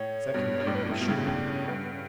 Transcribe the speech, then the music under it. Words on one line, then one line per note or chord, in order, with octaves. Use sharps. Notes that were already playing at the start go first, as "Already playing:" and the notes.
Secondleg they should be.
Already playing: A2 C#5
G2 B2
G2
A2 D5
B4
D4
A2
E4
G2 B2
A2 C#3
G2 B2
A2 C#4
D4
C#4
G2 B3
C#4
B3
C#4